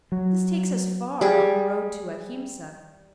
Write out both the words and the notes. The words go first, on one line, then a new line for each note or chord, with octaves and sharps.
This takes us far on the road to Ahimsa.
F#3
G3 G#4